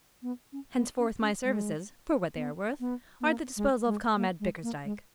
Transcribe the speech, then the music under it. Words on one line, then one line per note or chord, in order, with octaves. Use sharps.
Henceforth my services, for what they are worth, are at the disposal of Comrade Bickersdyke.
B3
C#4
B3
C#4
C#4
G#3
B3
B3
B3
A#3
G#3
G#3
A#3
G#3
A#3
G#3